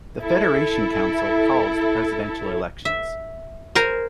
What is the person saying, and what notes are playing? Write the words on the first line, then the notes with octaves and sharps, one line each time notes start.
The Federation Council calls the presidential elections.
E4 A4
E5
A#4 C5 G#5 A#5